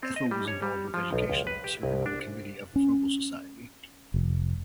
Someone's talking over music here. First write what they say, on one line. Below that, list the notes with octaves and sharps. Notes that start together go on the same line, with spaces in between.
Ethel was involved with education serving on the committee of the Froebel Society.
C4
D#5
G3
C#5
G3
F3
B1
C#2
B4
G4
C2
D4
C#4
F1